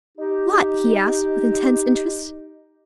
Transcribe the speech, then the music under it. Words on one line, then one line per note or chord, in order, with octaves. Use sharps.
"What?" he asked, with intense interest.
D#4 G4